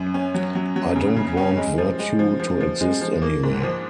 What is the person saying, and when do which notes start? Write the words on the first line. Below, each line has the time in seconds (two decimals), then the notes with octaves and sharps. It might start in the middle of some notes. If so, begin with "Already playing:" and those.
I don't want virtue to exist anywhere.
Already playing: F#2
0.14 C#4
0.34 F#3
0.55 F#3
0.76 F#3
0.96 C#3
1.17 C#3
1.37 C#4
1.57 G#3
1.78 F3
1.99 G#3
2.19 F3
2.40 F3
2.61 F3
2.81 G#3
3.01 F3
3.22 A#3
3.43 G#2
3.63 F3